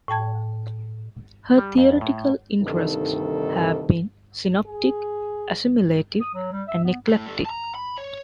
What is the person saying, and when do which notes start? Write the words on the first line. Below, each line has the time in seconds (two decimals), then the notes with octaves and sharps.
Her theoretical interests have been synoptic, assimilative and eclectic.
0.08 A2 G5 A5 G#6
1.57 G3
1.78 F2
2.01 A2
2.62 D2 G2 C3 D#3 D#4 A4
4.67 G#4
6.21 D#6
6.34 F#3
6.52 G3
6.68 E5
6.84 B3
7.08 A2 A3
7.26 G3 A4
7.46 A5 A#5
7.75 B5
7.98 C#5